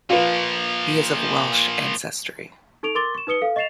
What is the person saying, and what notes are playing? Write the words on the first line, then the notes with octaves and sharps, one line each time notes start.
He is of Welsh ancestry.
A#2 F3 F4 B4
D#4 A4 C#6 D7 F7
A#4 C6 D6 A6 G7
C#6 E7
D#4 B4 D#6 C#7 G7
A4 F5
D#5 C#6 A6 C7 E7 F7